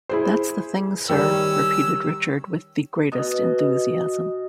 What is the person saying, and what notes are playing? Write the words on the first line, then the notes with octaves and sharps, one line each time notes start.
"That's the thing, sir," repeated Richard with the greatest enthusiasm.
E4 G#4 C5
D#3 G3 C#4 E6
B2 D#5